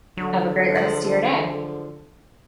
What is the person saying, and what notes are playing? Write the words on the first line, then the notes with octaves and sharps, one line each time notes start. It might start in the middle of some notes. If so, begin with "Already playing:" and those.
have a great rest a your day.
D3 F#3 A4
F3 G#3